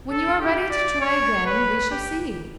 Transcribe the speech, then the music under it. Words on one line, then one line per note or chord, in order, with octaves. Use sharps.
"When you are ready to try again, we shall see."
A4
G4
D5
C#5
B4
G4